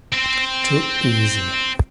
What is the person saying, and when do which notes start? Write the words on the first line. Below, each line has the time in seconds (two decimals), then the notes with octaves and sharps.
Too easy.
0.13 C4 C5